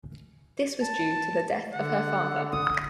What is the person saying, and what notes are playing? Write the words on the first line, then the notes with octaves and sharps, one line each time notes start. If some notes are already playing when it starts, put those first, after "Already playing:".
This was due to the death of her father.
A5
D3 F#5
D#6